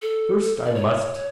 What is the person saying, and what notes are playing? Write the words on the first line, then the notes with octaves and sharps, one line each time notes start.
First I must.
A4
D5
C#5